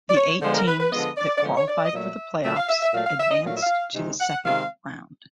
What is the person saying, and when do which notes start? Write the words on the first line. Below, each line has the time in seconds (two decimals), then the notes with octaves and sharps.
The eight teams that qualified for the playoffs advanced to the second round.
0.10 D5
0.17 C#5
0.42 D3 F3 G#3 B3 C5
0.54 A#4
0.68 B4
0.80 B4
0.92 D3 F3 G#3 B3 D#5
1.17 D5
1.38 D5
1.42 D3 F3 G#3 B3 C#5
1.57 C#5
1.68 D5
1.85 D#5
1.93 A#2 F#3 A3 E5
2.43 A#2 F#3 A3 E5
2.56 F5
2.69 E5
2.81 E5
2.93 A#2 F#3 A3 F5
3.07 F5
3.20 E5
3.31 D#5
3.44 A#2 F#3 A3 F5
3.54 E5
3.62 F5
3.94 C3 D#3 G#3 C4 D#4
4.20 F#5
4.45 C3 D#3 G#3 C4 D#4 F5